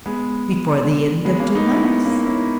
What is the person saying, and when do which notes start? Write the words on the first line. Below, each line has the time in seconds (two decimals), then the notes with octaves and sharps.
"Before the end of two months."
0.06 G#3 B3
1.25 G#3 B3
1.40 A#3 C#4
1.55 B3 D#4
1.70 C#4 E4
1.84 B3 D#4
2.05 A#3 C#4
2.25 C#4 E4